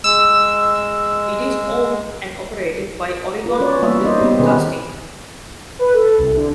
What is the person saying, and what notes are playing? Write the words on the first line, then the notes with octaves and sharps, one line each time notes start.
It is owned and operated by Oregon Public Broadcasting.
G#3 E6
F4 B4
C#4 F#4 C#5 D5
G3 A#3 B3 C#5 D5 E5
D#4 A#4 C5 D5 D#5
B3 C4 G4
B2 D#3 C#4 G#4 B4
B4
A4
C2
D3